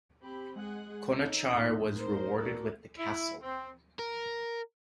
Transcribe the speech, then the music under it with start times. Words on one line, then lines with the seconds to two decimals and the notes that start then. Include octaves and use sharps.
Conachar was rewarded with the castle.
0.22 C4 G4 B5
0.56 G#3 G#4 F#5
1.17 D#4 A4 C#5 D#5
1.55 A2 A3 C4 D#4 A4
1.96 A#4 C5
2.37 F#4 A4 D5
2.98 E4
3.42 C4
3.99 A#4